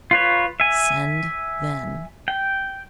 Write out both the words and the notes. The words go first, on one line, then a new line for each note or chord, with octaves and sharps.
"Send then."
F4 B4 C#5
E5 G#5
G5